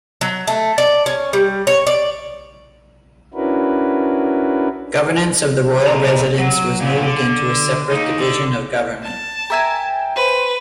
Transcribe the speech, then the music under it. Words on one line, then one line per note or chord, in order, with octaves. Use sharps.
Governance of the royal residence was moved into a separate division of government.
F#3
A3
D5
C#4
G3
C#5
D5
C#4 D4 E4 F#4 A#4 B4
B2 A#5
F#3
A#2 B3
D3
D#2 D#4
D3
A5
A#4 E5 G5 G#5
B4 C5